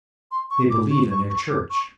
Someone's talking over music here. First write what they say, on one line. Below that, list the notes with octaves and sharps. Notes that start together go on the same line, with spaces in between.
They believe in their church.
C6
C#6
D6
C#6
C#6
C#6
D6
C#6